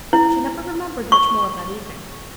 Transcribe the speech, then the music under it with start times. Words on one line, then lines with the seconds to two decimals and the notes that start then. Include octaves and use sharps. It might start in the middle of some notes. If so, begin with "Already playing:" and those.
She never remembered much more of that evening.
0.13 E4
1.12 C#6